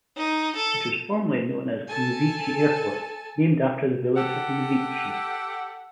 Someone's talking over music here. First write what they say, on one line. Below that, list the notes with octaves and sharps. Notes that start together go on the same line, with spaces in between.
It was formerly known as Knevichi Airport, named after the village of Knevichi.
D#4
A4
A4 G#5 A5
G4 A4 F#5